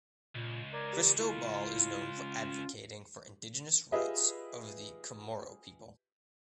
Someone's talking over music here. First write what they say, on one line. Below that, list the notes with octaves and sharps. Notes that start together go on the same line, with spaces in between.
Cristobal is known for advocating for indigenous rights of the Chamorro people.
C#2 A#2
A#4 D5 G#6
G4
E4 F4
C#4
F4 G4 G#4 B4 D#5 E5